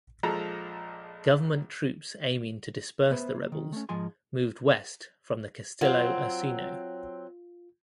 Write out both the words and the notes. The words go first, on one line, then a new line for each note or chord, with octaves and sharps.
Government troops aiming to disperse the rebels moved west from the Castello Ursino.
A#1 F3 G#3 A4 A#5
B3 B4 C5 E5
A#3
D#3
A3 C#4
G#2 F3 D#5 G#5 C6
F#3 C4 F4